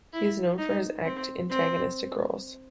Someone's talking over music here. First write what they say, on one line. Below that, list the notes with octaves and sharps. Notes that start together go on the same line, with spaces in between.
He is known for his antagonistic roles.
E4
D#4
C4
C4